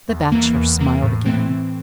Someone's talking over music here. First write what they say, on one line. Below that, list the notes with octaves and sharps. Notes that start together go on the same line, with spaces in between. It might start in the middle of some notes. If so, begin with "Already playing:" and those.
The Bachelor smiled again.
E2
E3 A#3
E2
E3 A#3
A2
E3 A3 C4